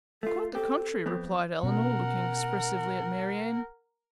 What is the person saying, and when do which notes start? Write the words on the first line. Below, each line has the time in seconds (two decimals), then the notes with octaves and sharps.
"Quite the contrary," replied Elinor, looking expressively at Marianne.
0.23 A3 F4 A4
0.55 C4 G4 A4
1.06 F2 B3 C4
1.63 B2 C#4 A#4 F#5